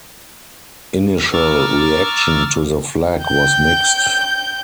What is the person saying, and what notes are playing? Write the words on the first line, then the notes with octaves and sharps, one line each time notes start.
Initial reaction to the flag was mixed.
A#5 C#6 D6 E6 F6 A6
G5 G6